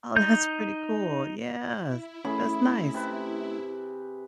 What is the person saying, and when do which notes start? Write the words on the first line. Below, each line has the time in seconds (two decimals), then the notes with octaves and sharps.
Oh, that's pretty cool, yes, that's nice.
0.16 D#4 G6
1.73 E4
2.25 A3 C#4 G#4 B5
2.94 C3 B4